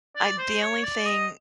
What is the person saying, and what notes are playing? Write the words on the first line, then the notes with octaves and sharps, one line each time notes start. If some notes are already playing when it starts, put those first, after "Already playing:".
I the only thing,
D5
C5
C#5
D5
D#5